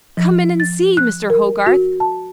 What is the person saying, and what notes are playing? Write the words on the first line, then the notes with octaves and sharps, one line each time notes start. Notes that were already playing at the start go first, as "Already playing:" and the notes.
Come in and see Mr. Hogarth.
F3
A6
F#6
A#4
F#4
A5